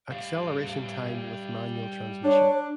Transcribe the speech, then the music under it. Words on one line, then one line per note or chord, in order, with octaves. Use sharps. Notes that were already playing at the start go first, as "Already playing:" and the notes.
Acceleration time with manual transmission.
G3 F5
D4 C#5